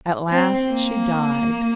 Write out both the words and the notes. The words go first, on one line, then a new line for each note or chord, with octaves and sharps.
At last she died.
C4
A#3